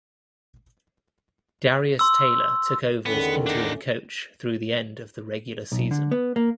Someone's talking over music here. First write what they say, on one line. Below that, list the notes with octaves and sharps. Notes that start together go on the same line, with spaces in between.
Darius Taylor took over as interim coach through the end of the regular season.
C6 E6
E2 D3 D#3 A3 B3 C#4 G4
D4 D#4
B1
D3
B3
A#3